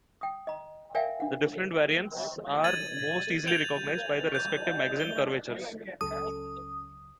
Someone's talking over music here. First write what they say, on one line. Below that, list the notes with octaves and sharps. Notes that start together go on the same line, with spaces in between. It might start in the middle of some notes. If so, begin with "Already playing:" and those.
The different variants are most easily recognized by their respective magazine curvatures.
G5 D#6
D#5 A#5
A#4 D5 E5 F5 G5 G#5
D4 F#5
G#6 A6 D#7 F#7
G6 F7
G6
G7
C#2 F#3 C#4 A4 D#6